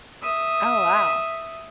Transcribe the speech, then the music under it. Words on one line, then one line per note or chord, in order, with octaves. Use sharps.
Oh, wow.
E5 D#6